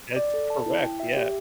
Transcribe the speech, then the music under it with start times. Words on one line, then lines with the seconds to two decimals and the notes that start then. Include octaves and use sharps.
That's correct, yeah.
0.16 D5
0.34 A4
0.50 A5
0.66 E4
0.84 G5
1.00 E5
1.17 G4